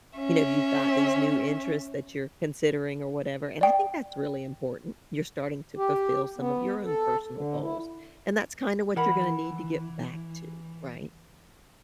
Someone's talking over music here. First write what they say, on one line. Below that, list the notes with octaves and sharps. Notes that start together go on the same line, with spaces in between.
you know, you've got these new interests that you're considering or whatever, and I think that's really important. You're starting to fulfill some of your own personal goals and that's kinda what you're gonna need to get back to, right?
C#4 E5
D5 G5
G4
B3
A4
D3
E4
E3 A#4 F#5 B5